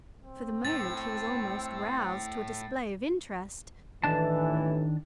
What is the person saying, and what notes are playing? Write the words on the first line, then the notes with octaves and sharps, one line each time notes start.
For the moment he was almost roused to a display of interest.
C4
A2 A6
A1 D#3 E3 D4 A5